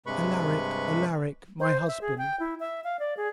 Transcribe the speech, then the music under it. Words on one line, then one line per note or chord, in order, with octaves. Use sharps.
'Alaric, Alaric, my husband!
G2 C3 G#3 B4 B5 C#6
C5
E5
G#4
G5
E4
E5
F5
D5
G#4